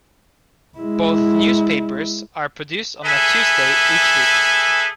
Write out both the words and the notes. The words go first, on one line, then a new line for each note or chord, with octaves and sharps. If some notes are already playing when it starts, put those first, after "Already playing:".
Both news papers are produced on a Tuesday each week.
G#3 E4
G#4 A4 B4 E5 G#5